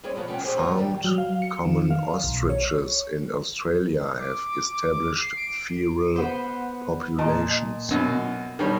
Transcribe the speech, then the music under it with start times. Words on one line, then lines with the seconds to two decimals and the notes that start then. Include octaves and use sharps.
Farmed common ostriches in Australia have established feral populations.
0.04 G3 A#3 C4 G#4 C#5 D5
0.16 B2 F3 B3 C#5
0.28 G3 G#3 C#4 F#5 G5
0.44 D#4 G4 G#4 C5
0.57 E3 G3 A#3 F4 F#4
0.77 A2 D#3 G3
1.04 F#3
1.18 F5
1.42 C#7
1.65 D#3
1.90 F5
2.24 B1
2.49 C#5
4.20 D6
5.20 C7
5.37 D7
6.16 B3 C5
7.18 A#2 D#5 A5
7.90 F#2 B2
8.59 B2 D#3 G3 C#5